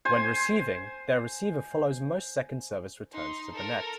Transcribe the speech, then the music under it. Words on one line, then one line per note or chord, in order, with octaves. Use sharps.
When receiving, their receiver follows most second-service returns to the net.
C5 G#5
D#4 C6
A4 A#4